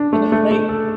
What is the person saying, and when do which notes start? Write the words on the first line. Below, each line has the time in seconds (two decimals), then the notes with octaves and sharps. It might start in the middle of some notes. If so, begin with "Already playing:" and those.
and it's like,
Already playing: D4
0.13 A3
0.32 A3
0.51 A3
0.69 A4